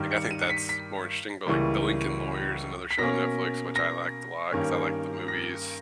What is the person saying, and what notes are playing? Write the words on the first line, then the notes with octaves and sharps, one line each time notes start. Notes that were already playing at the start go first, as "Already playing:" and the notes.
Like, I think that's more interesting, but, like, The Lincoln Lawyer is another show on Netflix, which I liked a lot 'cause I liked the movies
Already playing: G2 D#3 G3
C#7
D#7
C#7
B6
B6
C#2 C#3 E3 G3 A#3
B6
B2 A#3 C#4 A#6
A#6
G2 D#3 A#3 C#4
A#6